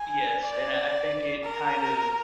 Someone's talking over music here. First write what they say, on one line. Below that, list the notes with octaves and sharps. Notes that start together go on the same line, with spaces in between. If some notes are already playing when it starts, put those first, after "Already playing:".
yes, and I, uh, think it kind of,
Already playing: G#5
D5
A#4